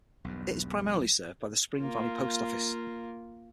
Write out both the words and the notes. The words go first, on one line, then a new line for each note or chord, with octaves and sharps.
It is primarily served by the Spring Valley post office.
B1 E2 G2
A#3 F4